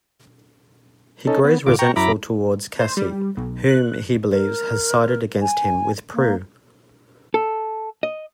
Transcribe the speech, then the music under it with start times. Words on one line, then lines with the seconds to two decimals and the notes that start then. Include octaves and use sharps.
He grows resentful towards Cassie, whom he believes has sided against him with Prue.
1.27 C#4 D#4 A4
1.44 B3
1.66 D2 A2 F4 D6
1.79 G5 A#5 C#6
1.96 F#2 E4 A#5 B5 D6
2.79 C5
2.97 G3
3.37 B1
3.68 F#6
4.29 A#4
5.42 G#5
6.13 A#3
7.34 A4
8.03 D#5